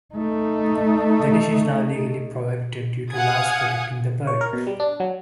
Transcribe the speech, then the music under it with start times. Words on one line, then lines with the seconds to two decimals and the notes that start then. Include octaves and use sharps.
The dish is now legally prohibited due to laws protecting the bird.
0.15 A3 D#4
3.12 F5 F#5 G#5 D#6 G#6
4.27 C#5
4.41 A#4
4.53 B2
4.67 G3
4.80 D4
5.00 F#3